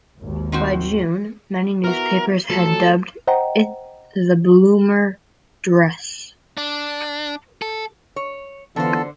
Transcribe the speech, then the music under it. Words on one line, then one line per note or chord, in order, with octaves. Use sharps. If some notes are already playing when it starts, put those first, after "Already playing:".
By June many newspapers had dubbed it the "Bloomer dress".
G#1 D#2
D#3 C4 F#4
B3 E4 F#4 A#4
F3 F#3 A3 A4
C5 D#5 F#5 G5 A#5
D4
A4
C#5
D3 E3 B3 F4 A4 C5